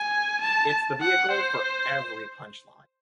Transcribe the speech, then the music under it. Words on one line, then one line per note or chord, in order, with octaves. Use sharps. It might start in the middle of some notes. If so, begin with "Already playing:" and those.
It's the vehicle for every punchline.
Already playing: G#5
A5
F#5
C5